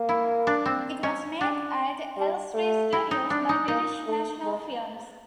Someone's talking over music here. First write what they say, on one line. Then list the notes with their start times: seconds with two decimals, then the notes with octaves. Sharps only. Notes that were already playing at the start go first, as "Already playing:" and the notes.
It was made at Elstree Studios by British National Films.
Already playing: A#3
0.09 E4
0.47 D4
0.66 C4
1.03 C#4
1.41 D4
2.17 G3
2.54 A3
2.93 E4
3.11 D#4
3.30 D4
3.49 D#4
3.68 A#3 D#4
4.06 A3
4.44 G#3